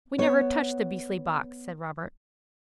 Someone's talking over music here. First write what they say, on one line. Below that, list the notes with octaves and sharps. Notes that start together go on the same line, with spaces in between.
'We never touched the beastly box,' said Robert.
B3 C#5